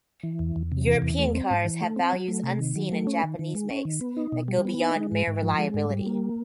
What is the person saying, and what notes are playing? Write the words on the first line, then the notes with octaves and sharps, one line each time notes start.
European cars have values unseen in Japanese makes that go beyond mere reliability.
E3
E2
E2
C3
E3
E2
A3
C4
G#2
E3
A3
C4
F#3
A3
C3
D#3
F#3
A3
C#4
D#3
D#3
G#3
C#4
D#3
B3
D#4
B2
G3
B3
D#4
G#3
G#2
G#2
F3
G#3
G#2
G3
A#3